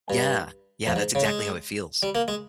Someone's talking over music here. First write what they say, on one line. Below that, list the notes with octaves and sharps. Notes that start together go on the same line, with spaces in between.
Yeah. Yeah, that's exactly how it feels.
G2
F2
G#2
C#3
G#3
G3
A#3
G#3